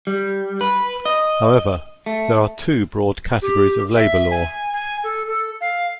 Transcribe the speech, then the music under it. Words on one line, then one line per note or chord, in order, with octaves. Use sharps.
However, there are two broad categories of labour law.
G3
B4
D#5
A3
G4
E5
G#5
G#5
A4
A4
F5